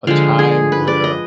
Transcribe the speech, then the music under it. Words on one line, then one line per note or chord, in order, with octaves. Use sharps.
a time where
D3 F3 G#3 F5
G#4
B4
D5
D#5